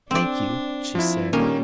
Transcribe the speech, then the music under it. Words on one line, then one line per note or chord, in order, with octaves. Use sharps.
"Thank you," she said.
C4 D4 D5
F3 E4
A#2 D#3 G3 A#3 C#4